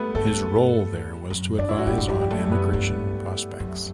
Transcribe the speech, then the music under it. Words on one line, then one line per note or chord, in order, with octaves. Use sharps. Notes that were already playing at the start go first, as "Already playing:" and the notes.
His role there was to advise on emigration prospects.
Already playing: G3 A3 B3 A4 B4
G2 A3 A4
F#2
G2 D4
E4
F#4
G2 G3 G4
A2
G2 G3 G4
G4
F#2 A3 A4
B3 B4
G2
F#2